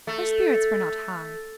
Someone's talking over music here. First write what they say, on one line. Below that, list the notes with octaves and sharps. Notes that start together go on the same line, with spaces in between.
Her spirits were not high.
A3